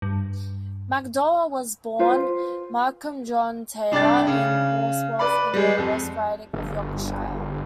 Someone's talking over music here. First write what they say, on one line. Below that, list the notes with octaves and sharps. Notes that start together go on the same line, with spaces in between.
McDowell was born Malcolm John Taylor in Horsforth in the West Riding of Yorkshire.
G2
F4 B4 C5
C2 D4 D5 G5 A6
C#3
B4 D5 B5
G3 G#3
F2
G1